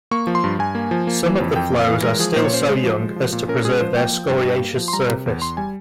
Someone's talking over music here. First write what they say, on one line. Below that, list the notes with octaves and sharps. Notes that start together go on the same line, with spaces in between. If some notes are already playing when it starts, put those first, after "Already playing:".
Some of the flows are still so young as to preserve their scoriaceous surface.
A#3 C#6
F3
C6
G2
G2 G#5
A#3
F3
A#3
E3
F2
F2 G5
A#3
F5
E3
G#3 A#4
F3 G#4
A#2 C5
C#5
C#4 C5
G#3
F3
G#3
F3
A#2
C#4 A#4
G#3 G#4
F3 C5
A#3 G5
F3
G2
G2
A#3
F3
C6
G3 A#5
C3
E2
E2 C6
G3 G#5